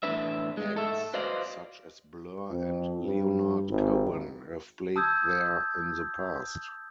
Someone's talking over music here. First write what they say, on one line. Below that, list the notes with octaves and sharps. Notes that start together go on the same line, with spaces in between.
Acts such as Blur and Leonard Cohen have played there in the past.
E2 A2 D4 B4 E5
G#3
G#2 A4 E5
F#4 B4 C5 D5 D#5 F5
F2
G2
G#1
A5 D#6 E6 G6 G#6